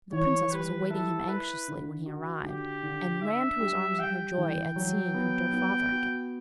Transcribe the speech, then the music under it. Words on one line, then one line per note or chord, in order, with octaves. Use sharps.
The princess was awaiting him anxiously when he arrived, and ran to his arms in her joy at seeing her dear father again.
E3 C#5
G3 B4
E4 A4
E4 B4
D3
F#4
D3 G4
D3
D4 E5
G3
G3 G5
E3
F#3
B3
B3
F#4